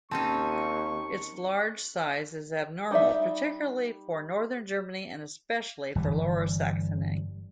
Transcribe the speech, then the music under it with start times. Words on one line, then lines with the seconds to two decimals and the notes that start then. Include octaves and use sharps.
Its large size is abnormal, particularly for northern Germany and especially for Lower Saxony.
0.11 D#2 C4 C#4 D#4 A5 C#6
2.91 G3 D#4 D5 E5
5.95 G1 E3 G3